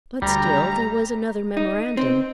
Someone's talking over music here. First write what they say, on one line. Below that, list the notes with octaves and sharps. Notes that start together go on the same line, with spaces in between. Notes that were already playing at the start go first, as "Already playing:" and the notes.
But still there was another memorandum.
D2 G3 A#5
D#4
C4